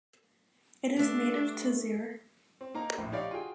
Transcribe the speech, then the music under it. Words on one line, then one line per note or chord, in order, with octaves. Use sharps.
It is native to Zaire.
G2 A3 D4
C4
A#3 D#4 A#5
A#1 A2
D#4 G4 C#5 D5 F5
F4 F#4 G#4 G5